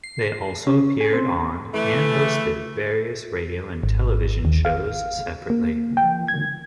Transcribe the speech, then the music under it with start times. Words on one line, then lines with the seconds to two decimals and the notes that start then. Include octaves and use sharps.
They also appeared on and hosted various radio and television shows separately.
0.04 C7
0.67 C#4
1.01 G#4
1.13 C4
1.74 E3 A3
3.83 G#1
4.45 D#2
4.65 F5
5.50 A#3
5.97 G5
6.28 G#6